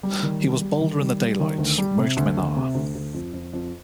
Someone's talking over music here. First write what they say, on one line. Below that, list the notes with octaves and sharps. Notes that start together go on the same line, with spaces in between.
He was bolder in the daylight — most men are.
G3
D#3
G3
G3
D#3
G3
G3
D#3
D2
G3
C3
D2
D2
C3
D2
D2
F2
F2
F2